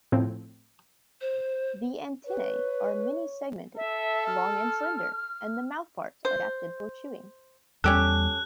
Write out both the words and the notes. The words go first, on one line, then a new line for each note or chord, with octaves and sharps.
The antennae are many-segmented, long and slender, and the mouthparts are adapted for chewing.
A2 F3 C4
C5
B4 C#5
A4 E5
F6
C5
E2 G3 C#4 G4 A4 F#6